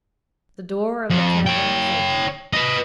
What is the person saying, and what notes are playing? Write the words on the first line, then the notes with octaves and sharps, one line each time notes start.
The door of the cavern was open.
F2
C#5 G5
B4 D#5